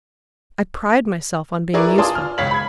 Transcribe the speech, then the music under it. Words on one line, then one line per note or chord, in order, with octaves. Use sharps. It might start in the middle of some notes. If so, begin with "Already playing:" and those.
I pride myself on being useful.
E4 G#4 A#4 B4 D5 C#6
F4 D5 G#5 A5 C6 D#6
F6
G#1 C#2 C#5 F5 B6 F#7
B5 G#6